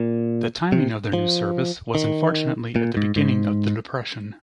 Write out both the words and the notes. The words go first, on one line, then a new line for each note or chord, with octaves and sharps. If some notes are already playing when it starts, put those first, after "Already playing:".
The timing of their new service was unfortunately at the beginning of the depression.
Already playing: A#2
C3
F3
D#3
A#2
G#2
G#2